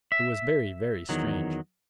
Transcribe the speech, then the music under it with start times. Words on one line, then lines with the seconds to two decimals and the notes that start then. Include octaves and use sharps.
It was very, very strange.
0.12 E5
1.09 E2 D#3 F#3